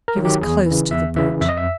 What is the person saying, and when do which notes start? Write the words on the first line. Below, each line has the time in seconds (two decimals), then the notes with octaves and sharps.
She was close to the bridge.
0.08 A#4
0.16 D#3 F#3
0.25 G4
0.41 E2 G#4
0.66 C#3 E3
0.91 E2 E5
1.16 C#3 E3 E5
1.41 F2 E5
1.49 D#5
1.57 E5